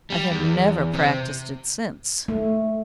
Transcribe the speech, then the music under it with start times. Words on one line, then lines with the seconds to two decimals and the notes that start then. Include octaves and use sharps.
I have never practised it since.
0.10 G3
0.31 E2
0.94 C3
2.28 A3